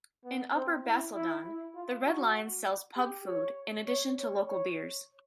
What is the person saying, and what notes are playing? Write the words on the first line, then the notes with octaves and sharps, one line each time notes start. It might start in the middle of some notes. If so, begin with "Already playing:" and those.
In Upper Basildon, the Red Lion sells pub food in addition to local beers.
B3
C4
E4
E4
E4
F4
F#4
G4
C#5
C#5
C#5
C#5